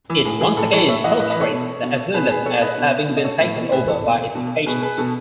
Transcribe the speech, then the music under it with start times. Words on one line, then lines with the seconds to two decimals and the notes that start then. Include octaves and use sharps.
It once again portrays the asylum as having been taken over by its patients.
0.10 E3
0.25 A2 G#4
0.41 E3 G#4
0.57 A2 A4
0.72 E3 A4 C#5
0.88 A2 C#5 E5
1.04 E3 D#5 F#5
1.20 A2 B4 D#5
1.30 B4 D#5
1.36 E3
1.41 A4 C#5
1.51 B2
1.83 B2
2.14 B2 G#4 B4
2.30 G#4 B4
2.45 B2 A4 C#5
2.61 B4 D#5
2.78 B2
3.09 B2
3.17 D#5
3.25 A4 C#5
3.40 A2
3.56 E3
3.72 A2 G#4 B4
3.88 E3 A4
4.03 B2
4.35 B2
4.66 B2 G#4 B4
4.82 G#4 B4
4.98 B2 A4